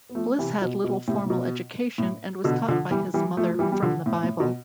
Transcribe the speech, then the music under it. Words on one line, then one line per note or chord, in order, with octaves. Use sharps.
Bliss had little formal education and was taught by his mother, from the Bible.
B3
F3 A3
C3 E3
B2
B2
A2 C3
A2
B2
A2
B2 D3
D3 F3
E3 G3
E3 G3
F3 A3
F3
E3 G3
G3
D3 F3
A2
A2
B2